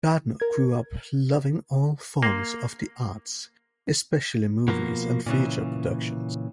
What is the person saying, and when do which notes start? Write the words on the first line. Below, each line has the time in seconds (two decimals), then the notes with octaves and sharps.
Gardner grew up loving all forms of the arts, especially movies and theatre productions.
0.40 A#4 G#6
2.23 A#3 C6 G#6 C7
4.68 B2 F3 A#3
5.26 A#2 C#3 E3